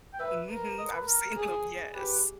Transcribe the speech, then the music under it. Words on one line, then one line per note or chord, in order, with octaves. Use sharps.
Mhm, I've seen them, yes.
G5
B4 E5
A#4
D#5
B4
A#4
G#4
G4 B4